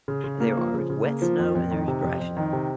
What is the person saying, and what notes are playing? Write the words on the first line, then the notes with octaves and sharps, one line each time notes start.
There are s wet snow, and there's dry snow.
C#3
C#3
A#3
F3
C#3
C#3
A#3
F3
F2
F2
D#3
C3
F2
F2
D#3
C3